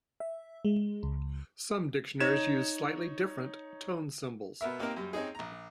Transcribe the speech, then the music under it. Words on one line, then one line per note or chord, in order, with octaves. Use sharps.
Some dictionaries use slightly different tone symbols.
E5
G#3
C#2
D#4 C#5 G#6 E7
B2 B3 A#4 E5
A#3 C4 D#4 G4 A#4
F#2 G3
C4 C#4 D#4 G#4
A#1 A#5